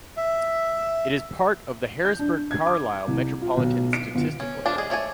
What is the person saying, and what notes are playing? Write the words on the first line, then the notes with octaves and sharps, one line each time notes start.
It is part of the Harrisburg-Carlisle Metropolitan Statistical Area.
E5
G6
D4
G#6
D6
C2
F4
B1
D7
G1
C#4
F3 D4 F4
G#3 G#4
A3 C#5 D5 G#5